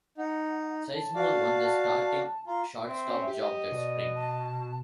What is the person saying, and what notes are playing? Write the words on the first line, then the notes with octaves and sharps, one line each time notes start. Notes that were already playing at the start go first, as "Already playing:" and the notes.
Sizemore won the starting shortstop job that Spring.
D#4 F#5
A5
F#4 D5 F5
F4 A#5
C4 E5
C#4
G4
D#5
B2 D5
A5